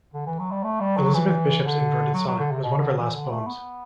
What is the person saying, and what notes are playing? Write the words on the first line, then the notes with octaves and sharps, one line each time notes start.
Elizabeth Bishop's inverted "Sonnet" was one of her last poems.
D3
E3
F#3
G3
A3
G3
F#3
E3
D3
F#3
F#3
D3
C3
B2
D3
E3
D3
A3
B3